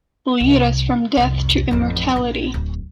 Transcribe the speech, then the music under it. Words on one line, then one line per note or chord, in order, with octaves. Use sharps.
Lead us from death to immortality.
C2
C2 F2
A1 F2
A#1 B3
D1